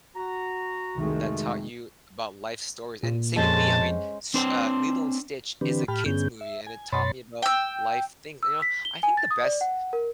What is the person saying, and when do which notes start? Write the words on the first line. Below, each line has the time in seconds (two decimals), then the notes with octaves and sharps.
that taught you about life stories and same with me. I mean, Sh uh, Lilo& Sitch is a kid's movie, and it taught me about life things and you know, I think the best
0.16 F#4 A#5
0.98 C2 F2 D#3 G#3 A3 F#4
3.03 A#2
3.36 F2 G#3 C#4 C5 A5
4.34 C4 D4 C5
5.61 D3 E3 C4 D4 G4 B4
5.88 A2 G4 G5 A5 B5 F6
6.06 G2 D3 B3 C#4 G#4 G6
6.41 E5
6.67 G#5
6.92 F#2 B2 C#5 B5 C6 A6
7.42 G5 E6
8.43 E6
8.62 B6
8.85 G7
9.03 G#5
9.17 A6
9.31 D#6
9.44 D5
9.61 F#5
9.93 A#4